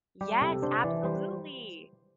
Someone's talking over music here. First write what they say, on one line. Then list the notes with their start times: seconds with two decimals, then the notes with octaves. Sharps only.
Yes, absolutely.
0.21 G3 G4
0.41 C3 A4
0.62 D4 C5
0.84 E3 D5
1.04 G3 C5